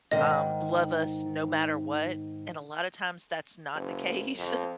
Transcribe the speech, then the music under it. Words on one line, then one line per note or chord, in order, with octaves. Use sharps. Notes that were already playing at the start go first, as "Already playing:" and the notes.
um, love us no matter what, and a lotta times that's not the case.
G#2 D#3 D#5
F#1
F2